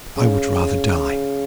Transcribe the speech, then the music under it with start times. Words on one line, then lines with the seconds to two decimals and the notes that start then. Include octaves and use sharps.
I would rather die.'
0.17 C#3